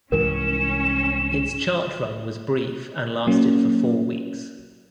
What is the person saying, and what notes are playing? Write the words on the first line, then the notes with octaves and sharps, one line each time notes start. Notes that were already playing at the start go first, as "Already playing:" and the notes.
Its chart run was brief and lasted for four weeks.
C2 G#2 E3 C#4 A#4 E7
F#3 A#3 C#4